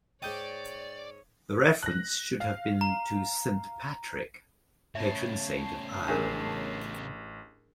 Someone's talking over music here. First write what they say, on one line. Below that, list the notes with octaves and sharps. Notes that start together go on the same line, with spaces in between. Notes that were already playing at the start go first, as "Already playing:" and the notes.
The reference should have been to Saint Patrick, patron saint of Ireland.
G#2 D#4 C#5 D5 G5 D#6 G6
F#6 A#6
F5
A#5
A2 C#3 C#5 E5 A5 C7
A1 D4 G#4 A#4